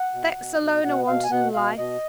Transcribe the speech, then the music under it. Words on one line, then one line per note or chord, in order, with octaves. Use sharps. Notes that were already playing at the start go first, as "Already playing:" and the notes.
Facts alone are wanted in life.
Already playing: F#5
B2
B2
B2
B2 F#5
B2 F5
G#5
B2 F#5
B2 F5
B2 D#5